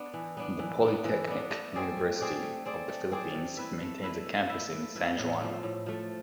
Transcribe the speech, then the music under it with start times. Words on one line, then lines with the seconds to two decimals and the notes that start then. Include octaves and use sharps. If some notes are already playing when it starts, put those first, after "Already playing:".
The Polytechnic University of the Philippines maintains a campus in San Juan.
Already playing: B3 D4
0.14 E3
0.37 B3 D4
0.59 E3
0.82 B3 D4
1.05 E3
1.28 B3 D4
1.50 A3
1.74 C4 G#4 D5
1.97 A3
2.20 C4 G#4 D5
2.43 A3
2.66 C4 G#4 D5
2.89 A3
3.12 C4 G#4 D5
3.35 A3
3.57 E4 B4 E5
3.81 A3
4.03 E4 B4 E5
4.26 A3
4.49 E4 B4 E5
4.72 A3
4.95 E4 B4 E5
5.18 A2
5.40 F3 A3
5.63 A2
5.86 F3 A3